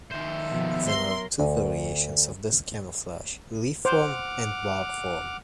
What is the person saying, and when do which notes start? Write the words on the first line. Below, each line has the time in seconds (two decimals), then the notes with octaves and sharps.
There are two variations of this camouflage: leaf form, and bark form.
0.11 D#2 C5 E5
0.49 B2 F3 B3
0.88 F#3 A#4 C6
1.40 D2
3.85 C5 F#5 D6 F6